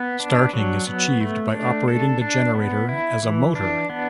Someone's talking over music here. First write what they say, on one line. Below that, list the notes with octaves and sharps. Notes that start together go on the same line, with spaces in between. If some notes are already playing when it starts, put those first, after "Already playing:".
Starting is achieved by operating the generator as a motor.
Already playing: B3
D4
F#3
B3
A3
D4
A4
D4
B3
E4
E3
D4
B3